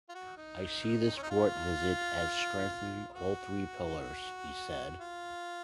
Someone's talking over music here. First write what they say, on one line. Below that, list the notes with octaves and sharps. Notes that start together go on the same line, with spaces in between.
"I see this port visit as strengthening all three pillars," he said.
F4
F#4
D#4
C#4
D#4
F4
F#4
F4